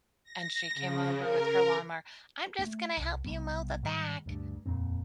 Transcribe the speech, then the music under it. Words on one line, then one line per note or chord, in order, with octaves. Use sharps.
and she came over with her lawnmower, "I'm just gonna help you mow the back."
A#6
C#3
A#4
A3 A#3
C2
B1 C3 G3 B3
G#2 D#3 G3 G#3
D2 G2
D#1 F2 A#2 C4